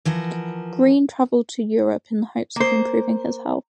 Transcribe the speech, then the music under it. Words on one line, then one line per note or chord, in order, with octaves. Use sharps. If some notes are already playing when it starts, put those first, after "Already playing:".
Greene traveled to Europe in the hopes of improving his health.
E3 F3 A#4 F#5
A#3 C5